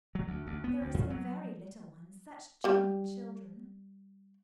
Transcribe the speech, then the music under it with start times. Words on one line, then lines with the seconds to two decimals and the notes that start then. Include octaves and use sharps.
There are some very little ones--such charming children.
0.15 F#3
0.27 D2
0.47 D2
0.64 B3
0.81 D2
0.94 F2
1.10 F#3
2.64 G3 G4